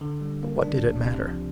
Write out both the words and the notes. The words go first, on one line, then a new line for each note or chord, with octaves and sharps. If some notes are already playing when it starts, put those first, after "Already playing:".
But what did it matter?
D3
G3
A#3
D4
C#2
C3
F3